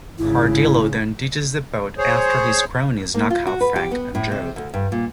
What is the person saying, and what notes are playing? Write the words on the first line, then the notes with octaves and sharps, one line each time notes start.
Cardillo then ditches the boat after his cronies knock out Frank and Joe.
G#1 C#3 E4
G#4 C5 C#5
A#3
F4
F#4
B4
G4
B3
A2
C3
D2
G2
A#2